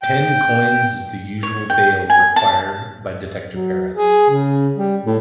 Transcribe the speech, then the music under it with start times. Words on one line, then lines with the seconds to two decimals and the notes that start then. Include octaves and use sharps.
Ten coins is the usual bail required by Detective Harris.
0.02 G5
1.43 C#5
1.70 G5
2.10 G#5
2.36 A5
3.50 F#3
3.96 G#4
4.30 C#3
4.76 G3
5.05 A2